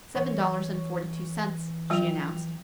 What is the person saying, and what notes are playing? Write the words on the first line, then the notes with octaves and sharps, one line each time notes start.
"Seven dollars and forty-two cents," she announced.
E3 C#5
F3 F#3 F4 G5 F7